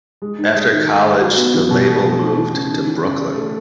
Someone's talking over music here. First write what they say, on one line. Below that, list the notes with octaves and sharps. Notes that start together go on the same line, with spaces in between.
After college the label moved to Brooklyn.
G#3
D#4
G#3
D#3
A3
D#3
F#4
B3
E3
B2
A3
B2
D#4
E3
C#3
D#4
E3
C#3
G#4
A3